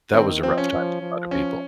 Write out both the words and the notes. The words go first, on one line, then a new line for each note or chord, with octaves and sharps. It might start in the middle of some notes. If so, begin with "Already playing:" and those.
that was a rough time for a lot of people.
D#3 C4
F3 C4
C#4
F3
F3
C#4